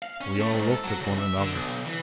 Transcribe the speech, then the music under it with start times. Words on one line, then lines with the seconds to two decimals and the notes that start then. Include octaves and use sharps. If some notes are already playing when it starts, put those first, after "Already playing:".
We all looked at one another.
0.02 F5
0.21 C#4
0.40 A3
0.52 G#2
0.71 A4
0.84 F#3
1.01 C#3
1.18 E5
1.37 D3
1.51 B1
1.85 E3